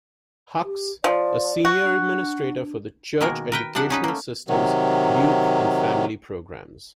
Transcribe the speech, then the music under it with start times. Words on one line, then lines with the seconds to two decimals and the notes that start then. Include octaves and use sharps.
Hucks, a senior administrator for the Church Educational System's Youth and Family Programs.
0.64 G4
1.04 F3 D5
1.65 F#4
1.83 D4
3.21 B2 D#3 G#3 A#3 A#4 A#5
3.52 A#4 B4 G5
3.75 C3 F3 D4 F#5
3.90 C#4 D#4 B4
4.04 A3 A#3
4.48 C3 D#3 F#3